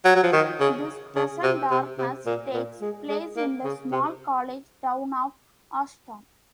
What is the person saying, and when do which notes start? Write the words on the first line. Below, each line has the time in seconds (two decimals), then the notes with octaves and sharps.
"This Present Darkness" takes place in the small college town of Ashton.
0.05 F#3
0.15 F#3
0.23 F3
0.32 D#3
0.60 C#3
1.15 C#3
1.43 C3
1.70 C3
1.98 C3
2.26 A#2
2.53 A#2
2.81 G#3
3.09 G#3
3.36 A#3
3.64 C#3
3.91 C3